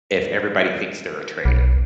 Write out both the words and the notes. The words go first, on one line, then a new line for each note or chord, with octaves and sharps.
if everybody thinks they're a traitor.
B1